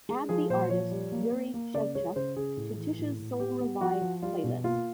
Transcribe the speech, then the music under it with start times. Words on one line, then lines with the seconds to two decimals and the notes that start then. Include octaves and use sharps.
Add the artist Jurij Szewczuk to tisha's soul revived playlist.
0.09 G#3
0.29 F3 G#4
0.50 A#2 C5
0.70 F3 C#5
0.91 G3
1.12 A#3
1.32 A#3
1.54 A#3
1.74 C#3 D5
1.95 G#3 C#5
2.16 C#3 C5
2.36 C#3 G#4
2.57 A2
2.77 E3
2.99 A2
3.19 A2
3.40 B3 G4
3.60 B3
3.81 F3 F#4
4.01 F3
4.22 G3 F4
4.44 B2
4.64 A#3 F4